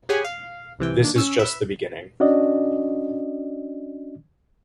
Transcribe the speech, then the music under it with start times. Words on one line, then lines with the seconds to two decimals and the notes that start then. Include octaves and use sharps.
This is just the beginning.
0.09 G4 G#4 C#5 F#5 G#5 B5
0.24 F5
0.79 C2 C3 E3 G5
1.00 D#3 A#3 D4
1.16 C#4 E6
1.39 B4 E5
2.20 C#4 D4 F#4 D5 D#5